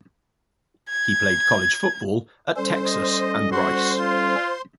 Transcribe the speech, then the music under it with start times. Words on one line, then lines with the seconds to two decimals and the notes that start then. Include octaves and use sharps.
He played college football at Texas and Rice.
0.90 G#6
2.56 G3 C#4 A4 C5
2.86 D#5
3.52 F#4 C5 C6
3.98 F4